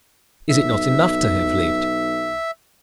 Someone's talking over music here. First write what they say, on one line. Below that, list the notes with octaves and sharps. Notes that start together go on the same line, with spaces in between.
Is it not enough to have lived?
B1 E5